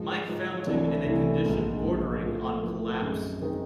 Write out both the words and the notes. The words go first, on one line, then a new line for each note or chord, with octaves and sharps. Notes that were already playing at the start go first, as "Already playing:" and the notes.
Mike found him in a condition bordering on collapse.
Already playing: G#2 F3 G#3
G#2 F3 G#3
C2 C3 E3 A3 D4
C2 C3 E3 A3 D4
A#1 G#2 F3 G#3
A#1 G#2 F3 G#3
A2 F3 A3
A2 F3 A3
F#2 D#3 G#3 C4 D#4
D#3 G#3 C4 D#4